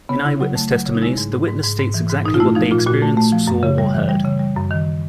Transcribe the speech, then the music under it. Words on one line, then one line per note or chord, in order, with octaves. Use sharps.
In eye-witness testimonies the witness states exactly what they experienced, saw, or heard.
C#3 B3
C#3 E4
F#3
A3
F#3
C#3
D#4
G#3 E4
G#2
G#2
G#2
G#2
G#2
E3
G#2
A#2 D#4
F4
A3 E4
F3 D#4
A#2 F4
A#2 F#4
A3
A3
F3
F#2
C#3
G3
E3
G3
C#3
G3
F#2
D#3